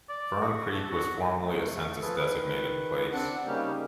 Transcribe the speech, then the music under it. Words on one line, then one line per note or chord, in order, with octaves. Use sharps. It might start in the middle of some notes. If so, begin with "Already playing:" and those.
Fern Creek was formerly a census-designated place.
D5
F#4
A4
F#4
A3
F3 G#4 A4 B4
D#3 B4
C4 D4 F#5
C#3 G3 A#3 C#4 D#4 G4